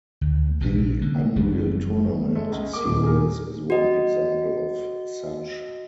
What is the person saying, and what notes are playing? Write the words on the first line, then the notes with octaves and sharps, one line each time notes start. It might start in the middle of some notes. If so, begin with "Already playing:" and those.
The "Unreal Tournament" series is one example of such.
D2
A#1 C3 E3 F3
D3 A#3
F#1 F#2 E3 G3
G#3 A3
C#2 G#3
A#3 D6
D#1 D6
G#4 A#4
F#4 D#5